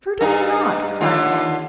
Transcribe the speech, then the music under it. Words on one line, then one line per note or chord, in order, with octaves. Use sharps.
"Certainly not," cried Annie.
G2 D#4
D#2 D3 F4